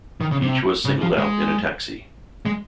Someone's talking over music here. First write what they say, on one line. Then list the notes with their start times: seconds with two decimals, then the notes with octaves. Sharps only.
Each was singled out in a taxi.
0.21 D#3
0.31 C#3
0.42 C3
0.85 C#3
1.02 F3
1.18 G#3
2.45 G#3